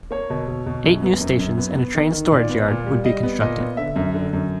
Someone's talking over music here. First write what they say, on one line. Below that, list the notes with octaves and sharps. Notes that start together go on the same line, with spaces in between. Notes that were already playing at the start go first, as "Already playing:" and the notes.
Eight new stations and a train storage yard would be constructed.
A#3 C#5
B2
B2
B2
F#2
B3
F#2
F#2
B3
B3
D#3
D#3
A#2 D5
B3
A#2
G3
G3 D#5
B3
A#2 D#5
B3
D3 E5
F#2
D3
F#2